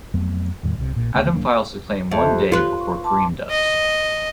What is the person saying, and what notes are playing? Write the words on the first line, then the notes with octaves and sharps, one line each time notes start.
Adam files his claim one day before Kareem does.
F2 F#3 A3 B3
E2 A2 D#3 G3
C2 C3
A#1 A#2
D2 C#3 A3 B3
F1 F#3 A#3 D4
F2 D#5 E5 A5
G4
F4 B4
C#6
A5 C6 D6
D#5